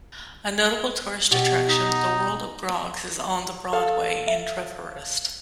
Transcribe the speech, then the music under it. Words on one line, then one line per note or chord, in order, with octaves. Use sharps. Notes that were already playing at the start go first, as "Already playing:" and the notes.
A notable tourist attraction, the World of Groggs is on the Broadway in Treforest.
B2 G4
D#4
A4 F5
E5